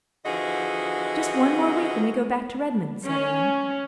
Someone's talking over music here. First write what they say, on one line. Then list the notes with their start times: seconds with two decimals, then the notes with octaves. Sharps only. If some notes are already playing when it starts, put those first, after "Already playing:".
"Just one more week and we go back to Redmond," said Anne.
0.25 D3 E3 F3 F#4 G#4 D#5
3.06 C#4